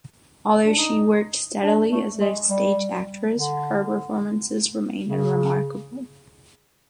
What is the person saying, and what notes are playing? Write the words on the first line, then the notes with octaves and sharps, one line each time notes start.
Although she worked steadily as a stage actress, her performances remained unremarkable.
D4
D#4
D4
A3
G#3
G3
D3
C#3